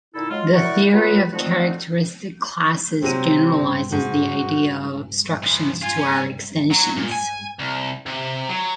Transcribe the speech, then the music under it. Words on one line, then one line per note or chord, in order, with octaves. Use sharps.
The theory of characteristic classes generalizes the idea of obstructions to our extensions.
A#2 D3 D#4 E4 A4
F#3 G#3 F4
E4 F#4 A#4 D5 F#5 C#6
F#3 B3 F4 B4
D3 F3 A3 C4 D#4 F#4
C3 F#3 C4 D#7
G#2 F#4
E3 F3
F4 G#5
E2 C#4
F#3
A#2
G#5
C2
C3
F#3